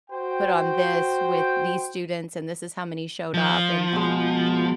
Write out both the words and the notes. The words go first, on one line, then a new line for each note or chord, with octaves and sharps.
"put on this with these students, and this is how many showed up, and,"
F#4 C5 G5
F3
B2 G#3